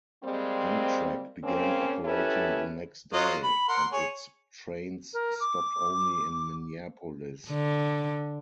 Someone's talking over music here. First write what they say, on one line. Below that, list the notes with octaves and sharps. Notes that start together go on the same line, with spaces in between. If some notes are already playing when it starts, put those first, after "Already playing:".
Amtrak began operating the next day and its trains stopped only in Minneapolis.
G3 G#3 A#3 C4
C#3 A#3 C4 C#4
F#2 C#4 E4 G4 A4 B4
F#3 F4 D#5
B5
A#4 F#5 C6
G#4 C#5
A#4
D6
D3